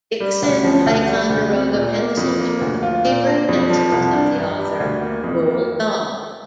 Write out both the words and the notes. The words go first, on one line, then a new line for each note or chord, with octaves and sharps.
Dixon Ticonderoga pencils were the favorite pencils of the author Roald Dahl.
G3
D2
F3
D2
G3
D2
C4
A#2
A#3
F2
A#3
D2
F4
A#2
D4
F2
F3
C2
D4
G2
G3
D2
A#3
F2
A#3